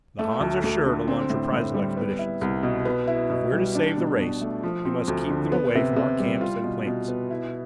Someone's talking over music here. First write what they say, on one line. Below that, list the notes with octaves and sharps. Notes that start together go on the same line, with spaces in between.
The Hans are sure to launch reprisal expeditions. If we're to save the race we must keep them away from our camps and plants.
A3
D2
D2
D3
C4
A2
A2
G3
B3
E4
C2
B2
B3
E4
B2
G3
D4
B2
B2
A3
F3
C4
D2
D3
B3
C3
C3
G3
F4
B2
B2
B3
E4